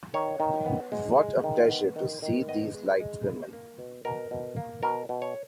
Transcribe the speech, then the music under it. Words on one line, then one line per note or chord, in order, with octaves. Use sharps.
What a pleasure to see these light women...
D#3 C#5
D#3
B3
G#3
G#3
D#3
B3
D#3
D#3
B3 D#5
G#3
G#3
A#3
A#3
B2
B2 A#4
B2
A#3
B2 A#4
B2
C#5